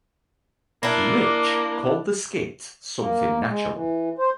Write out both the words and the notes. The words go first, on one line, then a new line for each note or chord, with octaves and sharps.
Ricch called the skit "something natural".
A#3 D4 E4
A#3
G#3
E3
C5